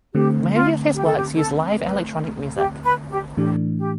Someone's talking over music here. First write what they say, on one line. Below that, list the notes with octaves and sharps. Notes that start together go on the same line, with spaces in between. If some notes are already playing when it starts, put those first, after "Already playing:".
Many of his works use live electronic music.
D3 A3 C4 G4
F4
G4
A4
G4
A4
B4
G4
B4
G4
A2 E3 A3 D4 G4
G4